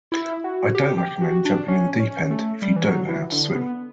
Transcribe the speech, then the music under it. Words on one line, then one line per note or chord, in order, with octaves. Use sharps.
I don't recommend jumping in the deep end if you don't know how to swim.
E4
F#4
G4
G4
F#4
D4
C#4
C#4
A3
G3
E3
F#3
E3
D3
B3